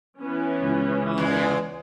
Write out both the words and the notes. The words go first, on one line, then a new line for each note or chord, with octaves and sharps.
Oh, yeah.
E3 B3 C#4
C#2
E2 G#3